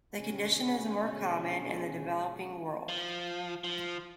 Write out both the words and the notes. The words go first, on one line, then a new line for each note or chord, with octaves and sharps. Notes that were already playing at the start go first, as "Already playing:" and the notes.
The condition is more common in the developing world.
B2 D3 G#3 C#4
F3
F3